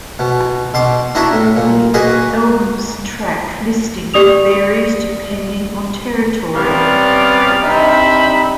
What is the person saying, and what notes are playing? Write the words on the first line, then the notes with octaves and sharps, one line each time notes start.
The album's track listing varies depending on territory.
B2
B2 C6 D6
B3 D4 E4 F#4 A#5
A2
A#2
A#3 F#4 G#4 B4 D#5
G4 D5 D#6 F7
C3 G3 B3 C#4 D5 F5
C3 D4 D#4 D#5 E5 B5